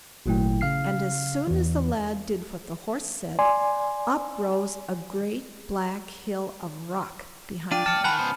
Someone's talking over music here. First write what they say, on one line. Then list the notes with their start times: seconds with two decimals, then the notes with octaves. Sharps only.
And as soon as the lad did what the Horse said, up rose a great black hill of rock behind him.
0.26 G#1 A#2 F#3 A3 E4 G5
0.61 C#3 F5 F6 C7
1.47 E2 E3
3.39 D5 G#5 C6
7.72 D4 F4 D5 G5 D#7
7.86 A5 F6 C#7
8.04 D#3 F#5 G#5 A5 B5
8.19 C#2 B3 C5